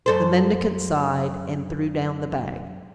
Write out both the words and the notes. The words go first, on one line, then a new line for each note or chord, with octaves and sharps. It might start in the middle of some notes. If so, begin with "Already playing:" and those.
The mendicant sighed and threw down the bag.
F#2 A4 C5